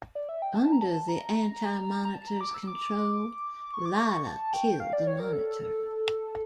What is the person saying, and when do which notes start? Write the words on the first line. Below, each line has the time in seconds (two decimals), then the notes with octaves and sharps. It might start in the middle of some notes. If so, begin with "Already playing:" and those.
Under the Anti-Monitor's control, Lyla killed the Monitor.
0.15 D5
0.29 E5
0.42 G5
0.55 A5
0.73 A#5
0.81 A5
1.09 A#5
2.05 A#5
2.14 A5
2.28 A#5
2.41 D6
2.54 E6
2.67 D6
3.74 C#6
3.86 D6
3.98 C#6
4.27 A5
4.54 G5
4.80 F5
4.93 D5
5.07 C#5
5.20 A#4
5.33 A4